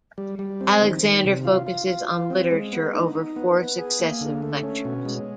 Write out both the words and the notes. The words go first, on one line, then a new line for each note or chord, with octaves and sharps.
Alexander, focuses on literature over four successive lectures.
G3
G3
C4
D#3
D#3
C3
F4
F4
F4
F4
C4
G#3
B3
D#4
D#4
B3
B3
G#4
A#3
D3
A3
C#4
B2
G#3